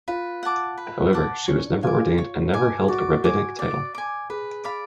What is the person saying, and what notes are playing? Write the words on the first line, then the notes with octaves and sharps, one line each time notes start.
However, she was never ordained, and never held a rabbinic title.
F4 B4
F#5 A5 D6
B4
F#5 A5 D6
C#4 C#5
D4
F4 G#5 D6
F4
C#5
G#5 D6
G#4
F#4 D5
G#5 D6
D5
G#5 D6
G#4 B4
D5 F5 B5